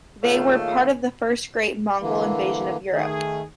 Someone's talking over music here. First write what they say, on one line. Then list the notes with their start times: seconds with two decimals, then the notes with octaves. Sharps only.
They were part of the first great Mongol invasion of Europe.
0.23 D#3 A3 A#3 F4 G#4 C#5 F5
2.01 D3 E3 A#3
2.93 D#3 A3 G#4